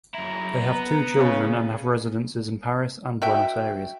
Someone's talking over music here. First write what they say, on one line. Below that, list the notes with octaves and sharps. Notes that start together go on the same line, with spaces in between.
They have two children and have residences in Paris and Buenos Aires.
F#2 E4 A#5
B3
C#3
F#4 E5 G5